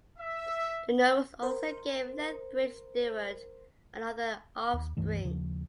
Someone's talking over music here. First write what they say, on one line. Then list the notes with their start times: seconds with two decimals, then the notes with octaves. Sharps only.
The novels also gave Lethbridge-Stewart another offspring.
0.19 E5
1.42 A#4 C5
4.73 D#2
4.97 C#2 G2 E3 A3
5.25 D#2 C#3 F3